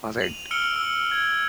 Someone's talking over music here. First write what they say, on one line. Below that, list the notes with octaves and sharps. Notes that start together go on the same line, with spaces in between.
I was like
D#7 F7 F#7
E6 F6 C#7 D7 G7
E6
G#6